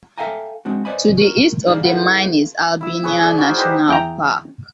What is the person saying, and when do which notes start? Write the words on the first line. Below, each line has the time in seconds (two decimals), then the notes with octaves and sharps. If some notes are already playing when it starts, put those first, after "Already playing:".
To the east of the mine is the Albinia National Park.
0.18 A4 E5 F5 G5 G#5 A#5
0.65 G#3 C4 D4 F#4
0.85 B4 C5 D5 D#5 G#5 B5
1.18 F#4 A#4
1.67 D#4 G#4 C5 D5 F5
1.84 E4 G#4 A4 B4 F5 F#5
2.81 E4 E6
3.03 G#4 B4 C#5
3.23 G#4 D5
3.38 F#4 A#4 C5
3.57 D#4 G4 B4 C5
3.88 E2 G5 A#5